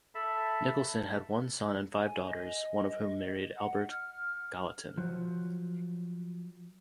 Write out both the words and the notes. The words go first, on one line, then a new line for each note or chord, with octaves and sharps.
Nicholson had one son and five daughters, one of whom married Albert Gallatin.
A4 E5 A5 B5
G#5
D#5
F#5
F6
F3 F#3